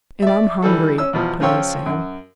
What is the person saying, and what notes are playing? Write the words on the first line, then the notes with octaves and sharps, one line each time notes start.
"And I'm hungry," put in Sam.
D5 E5
E3 G3 A4
C#4 E6
E2 B2 F3
C#3 F3 F4 C#5 G5 E6
F#2